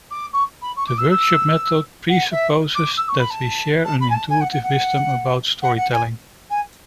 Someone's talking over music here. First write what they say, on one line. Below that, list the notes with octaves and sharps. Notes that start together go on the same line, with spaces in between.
The workshop method presupposes that we share an intuitive wisdom about storytelling.
D6
C#6
B5
C#6
D6
E6
E6
F#5
E5
D6
E6
C#6
B5
A5
A5
B5
G#5
A5
G#5
F#5
F#5
F#5
F#5
F#5
G#5
G#5